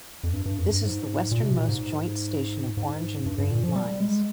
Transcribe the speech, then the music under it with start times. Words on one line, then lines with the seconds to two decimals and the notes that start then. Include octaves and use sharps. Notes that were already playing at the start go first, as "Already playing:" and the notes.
This is the westernmost joint station of Orange and Green lines.
0.23 F2
0.33 G2
0.46 G2
0.59 F2
0.70 G2
0.83 G#2
1.31 A#2
1.43 C3
1.56 A#2
1.69 G#2
2.77 G#2
3.26 G2
3.38 G2
3.51 A#2
3.64 F3
3.75 G3
4.00 G#3